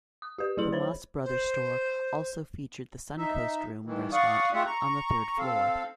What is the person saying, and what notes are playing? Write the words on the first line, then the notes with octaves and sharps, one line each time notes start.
The Maas Brothers store also featured the Suncoast Room restaurant on the third floor.
D#6
G4 B4
F#3 E4 G#4 F#7
C5 C#5 B5
C5
D#4 E5
G2 D#3 E3
D5 F5 F#5 C#6 D#6
G#3 A3 F4 G4 E5 F#5
A#5 C#6
C4 A4 F5